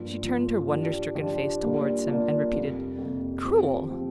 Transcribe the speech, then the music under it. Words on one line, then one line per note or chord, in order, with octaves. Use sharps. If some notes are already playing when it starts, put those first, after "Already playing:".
She turned her wonder-stricken face towards him, and repeated "Cruel!"
Already playing: G2 F3 A#3 F4
G2 F3 A#3 F4
F3 D4 G4
F3 D4 G4
A#2 G3 A#3 D4 F4
A#2 G3 A#3 D4 F4
F2 C3 G3 A#3
F2 C3 G3 A#3
F3 C4 G4
F3 C4 G4